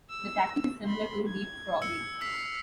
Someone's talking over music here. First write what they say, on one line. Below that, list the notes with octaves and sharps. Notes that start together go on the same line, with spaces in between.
The tactic is similar to leapfrogging.
E6
B5 C6
G#6
E6 C#7
E6 F6 B6 C7